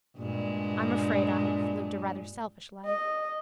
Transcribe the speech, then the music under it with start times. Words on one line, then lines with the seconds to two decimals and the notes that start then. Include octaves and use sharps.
I'm afraid I've lived a rather selfish life.
0.17 G2 A#2 G#3
2.85 D#5